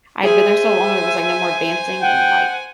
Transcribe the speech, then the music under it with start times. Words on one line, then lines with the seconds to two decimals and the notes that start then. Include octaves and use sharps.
I'd been there so long there was, like, no more advancing and, like,
0.23 G#4 C5 E5 G#5
2.02 F#5 G5